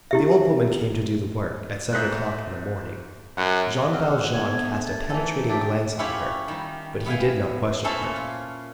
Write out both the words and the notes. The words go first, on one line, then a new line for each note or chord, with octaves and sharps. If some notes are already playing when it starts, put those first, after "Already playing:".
When the old woman came to do the work, at seven o'clock in the morning, Jean Valjean cast a penetrating glance on her, but he did not question her.
E4 G4 E5
G#2 A3 F#6
F#2 F#5
C4 G4 G#4 C#5 F#5 F6
A3 B3 D4 G#6
A6
E3 D#4 A4 G#5
C#4 D4 E4 G#4 G5 A6
C#4 E4 F4 G4 C#5
D#3 G3
B3 E4 F5 G5 G#5
C#4 E4 A4 C5
A#2
F4